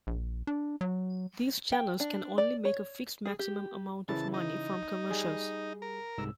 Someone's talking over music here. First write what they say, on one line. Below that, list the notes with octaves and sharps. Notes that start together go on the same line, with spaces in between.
These channels can only make a fixed maximum amount of money from commercials.
A#1
D4
F#3
G5
D4
D5
C#5
G#4
G4
C#3 E3 E4 A5
D#4
G3 G#4
A#4
C2 G#2 E6